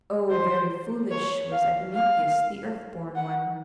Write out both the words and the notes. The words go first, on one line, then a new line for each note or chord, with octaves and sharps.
Oh, very foolish was Epimetheus the Earth-born One!
C5
C#5
F5
F5
F#5